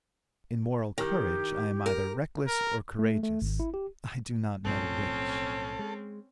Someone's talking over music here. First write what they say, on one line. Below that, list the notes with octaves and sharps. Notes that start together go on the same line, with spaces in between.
In moral courage I am either reckless or courageous, I do not know which.
D#3 G4
A#4
A#4
A3
A3
G#1
E4
G4
B1 A2 F3 C4 C#4 A4
G#3